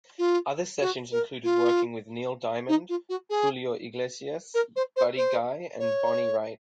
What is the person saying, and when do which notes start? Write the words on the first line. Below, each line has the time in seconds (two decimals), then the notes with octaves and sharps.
Other sessions included working with Neil Diamond, Julio Iglesias, Buddy Guy and Bonnie Raitt.
0.18 F4
0.81 F#4
1.12 A#4
1.44 F4
2.68 D#4
2.89 F4
3.09 F#4
3.30 G#4
4.54 A#4
4.76 C5
4.96 C5
5.17 C5
5.79 C#5